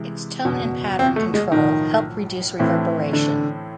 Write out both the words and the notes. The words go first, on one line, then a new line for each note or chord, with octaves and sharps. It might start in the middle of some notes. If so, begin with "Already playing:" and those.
Its tone and pattern control helped reduce reverberation.
Already playing: C3 E3 G#3 E4
F#1 E2 B2
C4
A3
G#3
B1 A2 D#3 F3
A2 E3 A3 C4 E4
D3